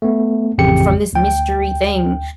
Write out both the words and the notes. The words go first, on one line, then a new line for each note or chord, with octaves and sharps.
from this mystery thing."
A3 B3
A1 F2 C#3 G4 G5 C#7
D2 G5